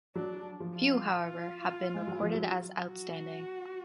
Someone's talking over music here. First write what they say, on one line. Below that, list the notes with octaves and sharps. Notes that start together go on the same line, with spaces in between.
Few, however, have been recorded as outstanding.
F#3 D4
F3
F4
G#3
F#3
F3
F#3
F#4